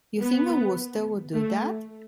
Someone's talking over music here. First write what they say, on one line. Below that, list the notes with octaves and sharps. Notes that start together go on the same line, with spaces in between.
You think a Wooster would do that?
B3
A3